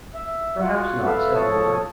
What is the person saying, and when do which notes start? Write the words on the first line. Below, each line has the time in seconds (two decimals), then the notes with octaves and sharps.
"Perhaps not," said Moore.
0.15 E5
0.60 F4 F#4 F#5
1.05 A4 B4 E5 F5
1.35 F3 A4 C#5 A5 D#6